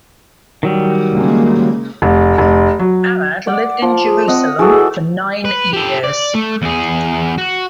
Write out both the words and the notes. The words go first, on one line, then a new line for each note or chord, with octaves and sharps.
Arad lived in Jerusalem for nine years.
D#3 F#3 G3
C#3 G#3 A#3
F1
F1
F#3
D5 F#5
F3
G#4
C4 D#5 F#5
E3 F#4 G#4 A4
B4
G4 A4
D5
A3
E2 G#4
F#4